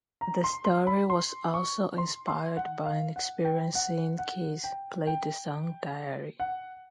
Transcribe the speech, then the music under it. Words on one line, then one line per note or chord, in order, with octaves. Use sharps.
The story was also inspired by an experience seeing Keys play the song Diary.
A#5
C6
C6
B5
C6
C#6
C6
C6
F#5
F5
F#5
G5
F#5
F#5
G5
G5
F#5